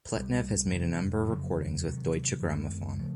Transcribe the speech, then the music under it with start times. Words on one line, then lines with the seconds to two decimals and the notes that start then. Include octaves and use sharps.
Pletnev has made a number of recordings with Deutsche Grammophon.
0.15 C2 B2 G3
0.72 F2 C3 D#3 G3
1.28 F2 C#3 F#3 A#3
1.85 C3 D#3 F#3
2.42 F#2 D#3 G#3 B3
2.99 C#3 F3 A3